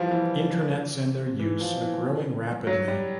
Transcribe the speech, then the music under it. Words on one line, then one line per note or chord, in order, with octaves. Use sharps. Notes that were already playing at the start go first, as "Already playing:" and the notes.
Intranets and their use are growing rapidly.
Already playing: E3 F3 G3
E3
E3
F3
E3
F#3
G3